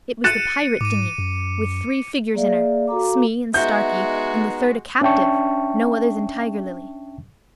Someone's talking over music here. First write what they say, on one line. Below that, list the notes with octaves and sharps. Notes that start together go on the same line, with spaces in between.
It was the pirate dinghy, with three figures in her, Smee and Starkey, and the third a captive, no other than Tiger Lily.
F#6 A6 C#7 D#7 E7
G#2 D6 D#7
F#2
A#3 G#4 D5 E5 F5
F#4 A4 F5 A#5 D6
G#3 B3 D#4 F#4 E5 G6
C#4 D4 E5 G5 A5 C#6